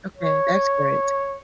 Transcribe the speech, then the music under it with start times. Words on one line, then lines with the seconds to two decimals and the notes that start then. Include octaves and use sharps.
Okay, that's great.
0.17 C#5